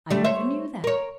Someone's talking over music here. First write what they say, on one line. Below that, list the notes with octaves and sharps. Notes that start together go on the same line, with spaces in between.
I never knew that.
G3 A3
C5 C#5 E5
A#4 C#5